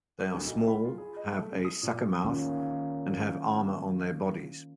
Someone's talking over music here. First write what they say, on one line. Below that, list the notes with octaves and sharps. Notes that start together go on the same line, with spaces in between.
They are small, have a suckermouth, and have armor on their bodies.
A#4
D2
B1
B5
F4
G#4
D#5
A3
C#3
D#6
A#2
D#3 A#3 C#4 F4